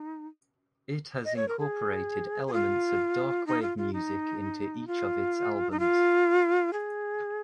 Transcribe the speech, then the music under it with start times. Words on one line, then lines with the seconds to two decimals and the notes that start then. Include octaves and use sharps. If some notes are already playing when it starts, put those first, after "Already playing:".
It has incorporated elements of darkwave music into each of its albums.
Already playing: D#4
1.25 D#5
1.36 C#5
1.48 A#4
1.59 G#4
2.47 G#4
2.53 F4
3.47 D#4
3.62 F4
3.78 F4
3.93 D#4
4.87 F4
5.71 D#4
5.80 F4
6.73 G#4